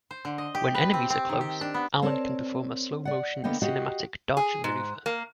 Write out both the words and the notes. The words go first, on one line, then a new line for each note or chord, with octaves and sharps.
When enemies are close, Alan can perform a slow-motion cinematic dodge maneuver.
C5
D3
D#5
G4
B4
C4
C4
D#3
G4
D4
B3
C4 A#4 C#5 D5 A5
D5 F#5
D3 A#3 B3 D#5 G5
F#4 G4 D#5 F5 F#5
G#4
G#2
A#3